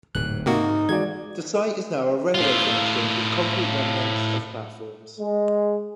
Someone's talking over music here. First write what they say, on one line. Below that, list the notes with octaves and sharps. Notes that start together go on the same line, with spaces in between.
The site is now a railway junction with concrete remnants of platforms.
D1 G#2 C3 F#6
G#2 C3 A#3 D#4 F#4
E3 G#3 F#4 D5 G#6
A2 F4
G#3